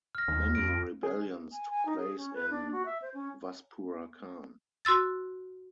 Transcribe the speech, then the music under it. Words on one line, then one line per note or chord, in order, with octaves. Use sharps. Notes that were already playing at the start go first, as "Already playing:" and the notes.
Many rebellions took place in Vaspurakan.
F6 A#6
D#2
F2 A#6 D7
G#4
G#5
G#5
D#4
G#4
C#4
B4
D4
F#4
E5
C5
C#4
F#4 C6 E6 A6